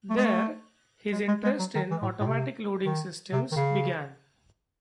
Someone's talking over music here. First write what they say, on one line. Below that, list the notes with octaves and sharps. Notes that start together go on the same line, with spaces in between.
There, his interest in automatic loading systems began.
A3
G#3
A3
G#3
G#3
G#3
F#3
D#3
E3
A2
A2
C3
D#3
C3
D#3
C#3